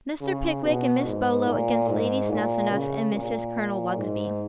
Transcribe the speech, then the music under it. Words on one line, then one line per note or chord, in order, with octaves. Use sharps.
Mr. Pickwick and Miss Bolo against Lady Snuphanuph and Mrs. Colonel Wugsby.
C#3
B2
G#2
A#2
G#2
A#2
C#3
A#2
G#2